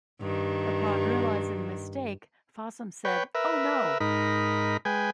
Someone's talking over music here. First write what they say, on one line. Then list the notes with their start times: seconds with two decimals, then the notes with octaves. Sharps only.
Upon realising the mistake Fossum said: Oh no!
0.21 G2 D#3
3.05 B4 C#5 G5
3.35 A#4 B4 E5
4.00 G#2 D#4 A#4 B5
4.85 G#3 B4 G5 G#5